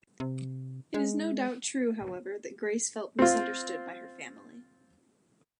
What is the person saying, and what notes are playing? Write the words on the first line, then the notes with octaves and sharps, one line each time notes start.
It is no doubt true, however, that Grace felt misunderstood by her family.
C3
G#3
C4 F4